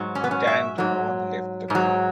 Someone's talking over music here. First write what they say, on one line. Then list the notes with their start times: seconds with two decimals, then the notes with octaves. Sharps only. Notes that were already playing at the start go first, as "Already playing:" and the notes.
Dan Donovan left the group.
Already playing: G#2 F#3
0.15 C#4
0.24 B3
0.31 C#4
0.47 E5
0.78 G#2 F#3
1.70 G#2 F#3